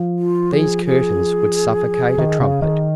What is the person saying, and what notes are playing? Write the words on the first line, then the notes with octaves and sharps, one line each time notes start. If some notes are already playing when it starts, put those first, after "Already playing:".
These curtains would suffocate a trumpet.
Already playing: F3
F4
G#4
G#4
D#3
C#3
D#3